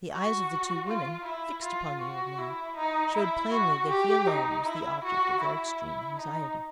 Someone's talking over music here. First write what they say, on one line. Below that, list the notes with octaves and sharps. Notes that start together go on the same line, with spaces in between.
The eyes of the two women, fixed upon the old man, showed plainly that he alone was the object of their extreme anxiety.
F#4
F4
E4
F4
F#4
E4
D#4
E4
F#4
G4
D#4
E4
F#4
E4
D#4